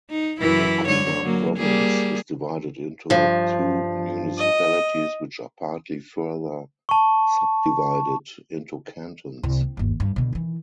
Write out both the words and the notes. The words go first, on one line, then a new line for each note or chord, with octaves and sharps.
Yacuma Province is divided into two municipalities which are partly further subdivided into cantons.
D#4
F#2 E3 E4
D3 C#5
F#3 A#3
G3 A#3 G#4
G2 F3
D#5
A5 C#6
C2
C4
G1 D#2
G2
B2 D3
D#3 E3